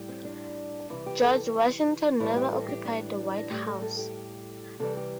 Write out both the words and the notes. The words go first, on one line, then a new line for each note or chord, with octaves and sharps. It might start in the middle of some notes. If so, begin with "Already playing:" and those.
George Washington never occupied the White House.
Already playing: A2 G3
C4
D4
C3 E3 G3 E4
G4
A4
A2 E3 G3 E4
G4
A4
G4
D4
A2 G3 G4
A4
A4
G4
C3 E3 G3 A4
G4